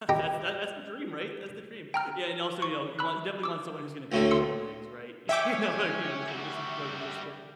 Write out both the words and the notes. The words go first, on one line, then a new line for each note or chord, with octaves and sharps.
That's tha that's the dream, right, that's the dream. Yeah and also, you know, you want you definitely want someone who's gonna cook more than eggs, right? You know, like, you know, just like just more than just scrambled
D#4 G4
G5 A#5 F6
C#6
B5 E6 F#6
D6 E6
D2 A2 D3
C6 E6 C#7
C#4 E5 G5 D6
G3 F#4